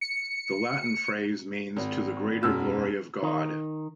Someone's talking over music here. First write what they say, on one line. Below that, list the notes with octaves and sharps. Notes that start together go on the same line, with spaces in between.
The Latin phrase means 'To the greater glory of God'.
C#7
G#1
E1 F#2 E6
D#3